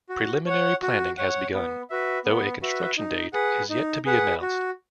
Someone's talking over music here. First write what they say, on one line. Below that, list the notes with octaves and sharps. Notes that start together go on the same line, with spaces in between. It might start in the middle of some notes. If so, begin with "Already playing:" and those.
Preliminary planning has begun, though a construction date is yet to be announced.
F#4
C#5 F#5
F#4
C#5 F#5
B3
F#4 B4 E5
B3
F#4 B4 E5
D#4
G#4 B4 F#5
D#4
G#4 B4 F#5
F#4